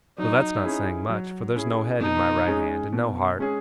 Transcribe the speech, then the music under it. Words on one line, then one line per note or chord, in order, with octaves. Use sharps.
Though that's not saying much; for there's no head in my right hand, and no heart.
F#3 D#4
C#4 E4 G#4
F#3
C#4 E4 G#4
B2 D#4
G#3 C#4 G#4
B2
G#3 C#4 G#4